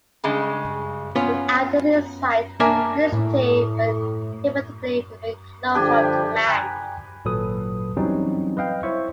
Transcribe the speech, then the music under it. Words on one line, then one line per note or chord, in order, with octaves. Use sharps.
Without this insight, Christianity would inevitably remain closed off to man.
G2 C#3 G#3
B3 C#4 F4
A#3 D4 A#4 E5 G#5
A2
D3 F3 G3 D4 G4 G#5
G5 G#5 A#5 B5 F#6
G#1 A#2 F#3 A4 B4 D#6
E3 F#3 G3 C4 C#4 D#4
B4 D#5 F5 G5
E4 C5 C#5 E5 C#6